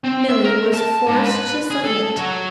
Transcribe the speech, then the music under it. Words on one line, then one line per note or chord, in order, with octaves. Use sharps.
Milly was forced to submit.
C4
E5
A#4
A5
G#2
B4
G#4
A4
F#3